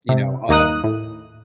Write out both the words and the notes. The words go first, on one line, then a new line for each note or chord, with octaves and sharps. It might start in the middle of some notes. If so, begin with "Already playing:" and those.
you know, um,
C3
D#2 A#3 D#4 D#6 F#6
A2